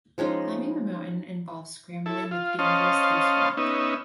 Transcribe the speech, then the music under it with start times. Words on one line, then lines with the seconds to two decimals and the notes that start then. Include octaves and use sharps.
Climbing the mountain involves scrambling with dangerous loose rock.
0.18 F3 G#3 C#4 D#4
2.06 E4 A4
2.31 F4
2.59 C#4 C5 D#5 F5 A5
3.57 B3 C#4 D#4 E5